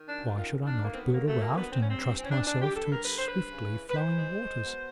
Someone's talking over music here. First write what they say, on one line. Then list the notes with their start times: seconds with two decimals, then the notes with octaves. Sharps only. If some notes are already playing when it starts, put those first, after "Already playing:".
Why should I not build a raft and trust myself to its swiftly flowing waters?
Already playing: D#3
0.08 D4
0.14 F#2
0.38 D#3 F4
0.59 D#3
0.67 D4
0.82 D2 A#3
0.92 C4
0.97 B3
1.05 F#3
1.12 A#3
1.27 F#3 A3
1.41 A#3
1.49 D3
1.57 B3
1.72 E3 C4
1.81 C#4
1.90 G2 C4
2.16 E3 C4
2.25 C#4
2.31 D4
2.39 E3
2.46 D4
2.60 G2 G4
2.75 A4
2.83 G2
2.91 A#4
3.05 D3 B4
3.16 C5
3.28 G2 B4
3.51 C#3
3.72 E3
3.89 B4
3.95 E3 C5
4.17 G#3
4.40 G#3
4.62 B2